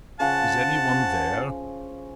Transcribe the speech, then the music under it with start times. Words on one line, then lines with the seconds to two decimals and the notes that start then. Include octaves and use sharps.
"Is any one there?"
0.20 C#3 F3 F#5 A5